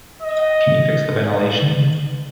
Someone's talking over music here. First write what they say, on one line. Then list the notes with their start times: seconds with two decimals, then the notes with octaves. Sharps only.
Can you fix the ventilation?
0.23 D#5